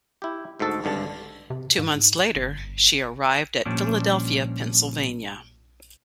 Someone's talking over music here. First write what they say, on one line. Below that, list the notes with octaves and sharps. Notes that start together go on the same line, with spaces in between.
Two months later, she arrived at Philadelphia, Pennsylvania.
E4 G4
D2 G#2 F#4 A4 A5
G#1 G2 D3 A5
C3
G#2
G1
A#2 F3 G3 C#4 D4